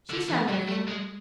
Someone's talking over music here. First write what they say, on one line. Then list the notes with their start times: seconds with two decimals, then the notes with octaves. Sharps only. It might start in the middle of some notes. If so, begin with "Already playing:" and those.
'She shall know you.
0.10 D3
0.29 E3
0.48 F#3
0.68 A3
0.88 G#3